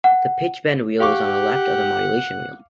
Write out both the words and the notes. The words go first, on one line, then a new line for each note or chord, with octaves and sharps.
The pitch-bend wheel is on the left of the modulation wheel.
F#5
G4 F5 F#5 C#6 D6